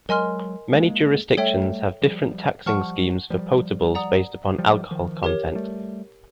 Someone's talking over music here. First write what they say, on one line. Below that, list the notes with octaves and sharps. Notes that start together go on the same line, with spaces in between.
Many jurisdictions have different taxing schemes for potables based upon alcohol content.
F#3 G#3 A#4 D#5 G#5 C6 F6
G#3 A#3
G3 A3 A4 C#5 E5 G5
F3 G3
F3 G3 F#5 A5 C#6 F6
F3 G3
D5 F#5 A#5 D#6
F3 G3
D#3 F3
G4 A#4 C#5
G3 A3